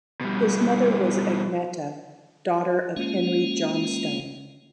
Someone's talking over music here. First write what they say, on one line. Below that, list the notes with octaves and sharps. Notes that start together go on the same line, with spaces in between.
His mother was Agneta, daughter of Henry Johnstone.
B2 G3
G#3 A#3 C#4 F4